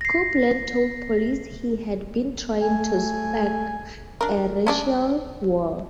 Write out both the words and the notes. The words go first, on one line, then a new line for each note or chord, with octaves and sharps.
Copeland told police he had been trying to spark a racial war.
A#6 C7
A3 G#5
D4 A#4
C#4 D4 D5